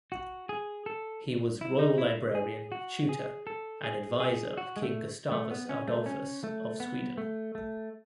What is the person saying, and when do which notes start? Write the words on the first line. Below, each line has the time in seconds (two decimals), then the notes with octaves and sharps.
He was royal librarian, tutor, and adviser of King Gustavus Adolphus of Sweden.
0.12 F#4
0.49 G#4
0.86 A4
1.61 E4
1.79 D#4
1.98 E4
2.35 G#4
2.72 F#4
3.09 G#4
3.47 A4
3.84 G#4
4.20 G#4
4.58 F#4
4.76 G#3
4.83 A3
5.32 A3
5.51 B3
5.69 C#4
5.88 A3
6.06 C#4
6.44 A3
6.80 B3
7.18 A3
7.55 A3